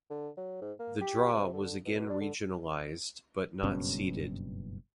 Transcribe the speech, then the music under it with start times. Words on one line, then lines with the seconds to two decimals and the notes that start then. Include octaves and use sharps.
The draw was again regionalised but not seeded.
0.10 D3
0.37 F#3
0.61 G#2
0.79 A#3
1.01 G4
1.33 C3
1.53 D3
1.85 B2
2.09 D4
2.21 D3
3.63 F#1 G2 B2 C#4